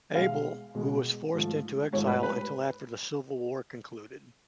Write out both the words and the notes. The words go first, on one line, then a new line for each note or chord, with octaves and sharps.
Abell, who was forced into exile until after the Civil War concluded.
B2 G#3 F5
B2 G#3
G#2 F3 A3
G#2 F3 A3 C#5
B4
B4